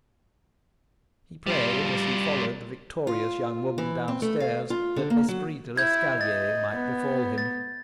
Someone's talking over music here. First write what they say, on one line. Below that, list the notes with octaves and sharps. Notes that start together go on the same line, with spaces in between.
He prayed, as he followed the victorious young woman downstairs, that l'esprit de l'escalier might befall him.
G3 F4
F4
E3
C4
A3
F5
F4
D3
A#3
F#3
E4 G6 G#6
D#5 A6
B3
A6